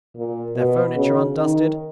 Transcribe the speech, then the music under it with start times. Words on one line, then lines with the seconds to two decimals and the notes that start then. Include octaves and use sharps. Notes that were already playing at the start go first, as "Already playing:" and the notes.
Their furniture undusted.
0.16 A#2
0.55 B2
0.95 C#3
1.35 D#3